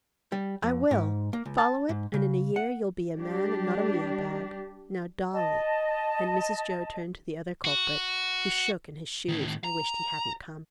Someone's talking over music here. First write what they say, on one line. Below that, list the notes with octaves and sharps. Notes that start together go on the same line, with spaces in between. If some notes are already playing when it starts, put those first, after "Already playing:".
'I will; follow it, and in a year you'll be a man and not a meal-bag. Now, Dolly'; and Mrs Jo turned to the other culprit, who shook in his shoes and wished he hadn't come.
G3
F2
G#2
A#3
C#2
A5
G#2
C#3
F#5
G3 D4 G4
D#5 A5
F#4
A2 D#3
A#5